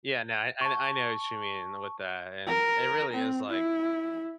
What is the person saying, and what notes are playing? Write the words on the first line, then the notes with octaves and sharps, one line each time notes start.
Yeah. No. I I know what you mean with that, and it really is, like,
A5 C#6
A#4
C4
E4